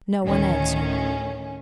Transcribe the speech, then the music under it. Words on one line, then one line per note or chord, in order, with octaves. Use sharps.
No one answered.
D2 A2 D#3 C#4